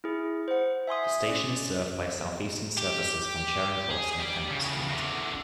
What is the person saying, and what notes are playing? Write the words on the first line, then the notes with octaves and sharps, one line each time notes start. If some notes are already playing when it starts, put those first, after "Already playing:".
The station is served by Southeastern services from Charing Cross and Cannon Street.
E4 G#4
C5 F#5
E5 G#5 C6 D#6
C#4 D5
G4
G#4
G4 D5
A2 C#3
E2 D3